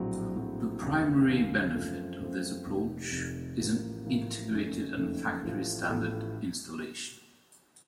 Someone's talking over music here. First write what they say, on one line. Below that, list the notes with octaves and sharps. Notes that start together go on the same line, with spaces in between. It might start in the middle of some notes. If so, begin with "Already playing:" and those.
The primary benefit of this approach is an integrated and factory-standard installation.
Already playing: A#1 A2 F#3 C4 F#4
A#1 A2 F#3 C4 F#4
F1 D#2 C#3
F1 D#2 C#3
F#2 F3 A3 C4
F#2 F3 A3 C4
F1 F2 C3 D#3
F1 F2 C3 D#3
A1 A2 F3 A#3
A1 A2 F3 A#3
F#1 F2 D#3 A3 C#4
F#1 F2 D#3 A3 C#4
A1 A2 F3 A3
A1 A2 F3 A3